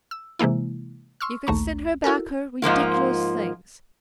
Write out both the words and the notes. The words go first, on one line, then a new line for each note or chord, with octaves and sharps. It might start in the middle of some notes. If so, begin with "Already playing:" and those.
You can send her back her ridiculous things.
E6
C3 E3 G#3 A#3 E4
C6 C#6 E6 F6
A#1 D#2 A3 A#5 C#6
E4 F#4 A4 A#4
G#2 F3 A#3 F4